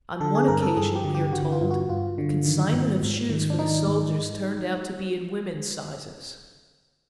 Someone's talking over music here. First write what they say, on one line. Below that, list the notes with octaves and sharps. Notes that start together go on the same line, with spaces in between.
On one occasion, we are told, a consignment of shoes for the soldiers turned out to be in women's sizes.
D3 A4
G#4
G2 A#4
A4
G2 G#4
G4
D3
G4
D3 F#4
F4
G2
F#4
G2 F4
D3
D#3
G#2
G#2
D#3
D4
D#3 D#4
G#2